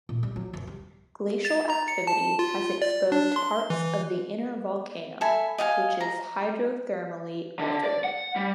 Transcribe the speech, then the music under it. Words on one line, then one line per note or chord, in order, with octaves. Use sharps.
Glacial activity has exposed parts of the inner volcano, which is hydrothermally altered.
A#2
G3
F#3
F#1 C3
G3
A6
A#5
C#7
A5
F4
D5
D4
C6
E3
A4 E5 G#5 B5
D#5 F5 F#5 G#5
A#5
D3
D5
F#5
G3